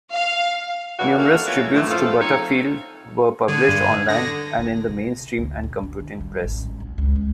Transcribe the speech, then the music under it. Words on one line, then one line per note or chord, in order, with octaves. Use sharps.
Numerous tributes to Butterfield were published online and in the mainstream and computing press.
F5
G2 C#3 E3 F#4 D5
A3 A#3 F5
F#3 B3 C#4 E4 F4 B4
F#2 A2 C3 E3 A3
F3 A4 F5
C4 D#4 A4 C#5
D3 G#4
G2
D3 A#6
E3
C3
D2
B1
D4
D#3
G3
A1
G#1
C2
C#2
G#3